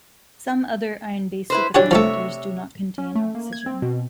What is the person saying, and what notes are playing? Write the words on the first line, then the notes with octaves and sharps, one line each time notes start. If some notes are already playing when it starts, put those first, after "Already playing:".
Some other iron-based superconductors do not contain oxygen.
E4 B4 C5
E3 D4 F#4 G4 C#5
C3 F3 A3 C#5 E5
C#4
A3
A#3
G#6
C4
B2